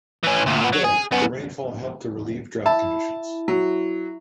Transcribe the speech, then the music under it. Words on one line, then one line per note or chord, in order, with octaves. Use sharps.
There, the rainfall helped to relieve drought conditions.
E3 C#4
D2 A#2
A#2 B3
F#3
G#4
F#2 B3
E4 A5
F#3